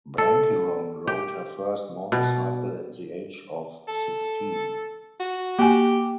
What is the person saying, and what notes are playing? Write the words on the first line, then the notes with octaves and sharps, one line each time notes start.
Blenkiron rode her first motorcycle at the age of sixteen.
A4
G4
B2
A4
F#4
A#3 G4 G#5